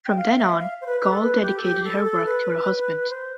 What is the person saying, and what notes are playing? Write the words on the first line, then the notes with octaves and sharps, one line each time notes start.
From then on, Goll dedicated her work to her husband.
G5
F5
E5
F5
C5
B4
B4
A4
B4
G4
A4
G4
A4
A4
B4
C5